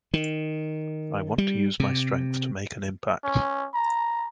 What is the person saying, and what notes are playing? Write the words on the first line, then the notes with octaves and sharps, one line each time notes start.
I want to use my strength to make an impact.
D#3
G3
C3
C#4
A#5